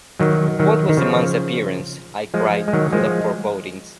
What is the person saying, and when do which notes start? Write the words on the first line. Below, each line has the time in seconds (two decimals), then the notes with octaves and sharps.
"What was the man's appearance?" I cried, full of forebodings.
0.20 D#3 F#3
0.59 D#3 F#3
0.89 D#3
0.97 C#3 F3
2.34 F3 G#3
2.68 G#3
2.73 D#3 F#3
2.93 F3 G#3